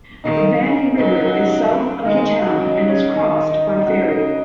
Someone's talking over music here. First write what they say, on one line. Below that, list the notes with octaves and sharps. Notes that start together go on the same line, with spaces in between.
The Bani river is south of the town and is crossed by ferry.
D#3 D#4
C#3 D#4
C#3 F#3 D#4
F#4
D#4
C#3 F#3
D#3 G#3 D#4
C#3 F#3 F#4
D#4
C#4
D#3 D#4
D#4
D#4
C#3 F#4
D#5